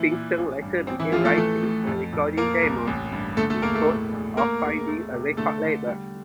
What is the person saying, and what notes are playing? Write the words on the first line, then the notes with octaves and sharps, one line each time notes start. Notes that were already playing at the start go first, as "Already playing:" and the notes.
Simpson later began writing and recording demos, in hopes of finding a record label.
Already playing: A#2 E3 E4
A#2
A1
G2
A1 C4
E3 E4
A1 F3 F4
A3 A4
E3 A3 A4
A2
F2
F2
A#2 A#3 A#4
C2
A1
G2
D3 A3 A4
A3 A4
E1 A#3 A#4
A3 A4
A2
A#1
A3 A#3 A#4
E1
A3
C3
D3 A3 A4
D3
G3